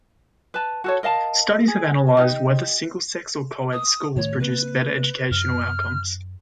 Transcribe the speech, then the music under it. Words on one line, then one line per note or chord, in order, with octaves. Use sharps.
Studies have analyzed whether single-sex or co-ed schools produce better educational outcomes.
B4 A5
F#4 A4 C#5
A#4 D#5 F5 A5
G#4
D#4 F4 G4 D#5
D#6
A2 D#3 A3 C#5
C#3 A#3 C4 B4
F#2 F6